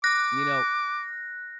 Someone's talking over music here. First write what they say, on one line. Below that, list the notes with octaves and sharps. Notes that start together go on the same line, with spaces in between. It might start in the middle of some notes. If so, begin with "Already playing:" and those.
you know,
D6 F#6 A#6